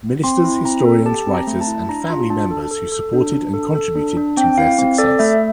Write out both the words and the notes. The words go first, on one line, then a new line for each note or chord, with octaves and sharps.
Ministers, historians, writers, and family members who supported and contributed to their success.
C4 C6
E4
C4 A#5
A4
G4 A5
C4
A#5
A3
A5
E4
D4 A#5
F4
D4 A5
A4
A4
A4
D4
D4
A4
A4
D4
D4
C4 G5
E4 F5
C4
A4 D5
A3 E5